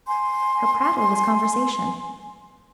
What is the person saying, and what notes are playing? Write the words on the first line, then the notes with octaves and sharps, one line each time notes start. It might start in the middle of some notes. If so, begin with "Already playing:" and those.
Her prattle was conversation.
G#5 C6